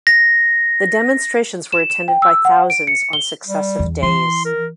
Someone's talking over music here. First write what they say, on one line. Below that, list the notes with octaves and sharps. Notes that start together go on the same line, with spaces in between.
The demonstrations were attended by thousands on successive days.
A#6
E7
E7
G5
E6
F#5
D7
C#7
G7
G3
E2
E3 C6
A#4